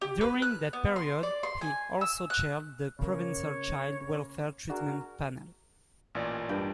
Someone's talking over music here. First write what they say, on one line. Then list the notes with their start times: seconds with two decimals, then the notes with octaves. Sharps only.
During that period he also chaired the provincial Child Welfare Treatment Panel.
0.01 G4
0.21 B4
0.42 F#6
0.73 B3
0.96 C6
1.23 D5
1.43 C6
1.61 G#5
2.01 E6
2.30 F#6
2.99 C#3 A#3 C#5
4.69 D4 F#4 G#4 A#4
6.15 A1 A#2 D5
6.49 G2 G5